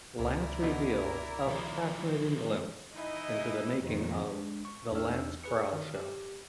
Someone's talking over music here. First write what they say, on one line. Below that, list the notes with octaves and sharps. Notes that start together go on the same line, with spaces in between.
Lance reveals a fascinating glimpse into the making of The Lance Krall Show.
C#2 C3 E4 A#4 D5
B2 D3 D#4
D#3 F3
E3 D#4 E4 D#5
F2 D#3
G#3 D4
C#6
E2 D4 D#4 C#5 E6 F6
G#4 B4 C#7
D#3
G4